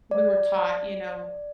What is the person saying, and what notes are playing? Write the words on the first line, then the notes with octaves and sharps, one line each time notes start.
we were taught, you know,
D5